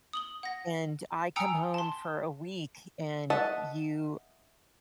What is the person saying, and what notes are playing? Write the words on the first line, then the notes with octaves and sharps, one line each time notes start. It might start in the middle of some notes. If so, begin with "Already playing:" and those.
And I come home for a week, and you
D#6 F#7 G7
F#5 A#6
G5 G#5 A#5 D#6 E6 C#7
A5 C6
D#5 E5 F#5 A5